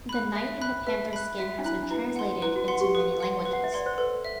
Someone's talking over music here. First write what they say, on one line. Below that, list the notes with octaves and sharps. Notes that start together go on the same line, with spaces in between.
"The Knight in the Panther's Skin" has been translated into many languages.
B5 F#6
E5
B5 F#6
B4 E5
B5 F#6
F#4 E5
D4
E4 B5 F#6
D4
E4 B4
F#5 C6
E4 B4
F#4
F#4 F#5 C6
G4
A4 B4
F#5 C6
B4
F#5
E5
D5 F#5 C6
C5
A4 B4
E5